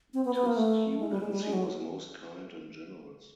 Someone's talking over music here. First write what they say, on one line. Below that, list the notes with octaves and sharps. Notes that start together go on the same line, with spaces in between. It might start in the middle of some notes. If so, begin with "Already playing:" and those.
To students he was most kind and generous.
C4
B3
B3
A#3
A3
G#3
G3
G#3
G3
G#3
F#3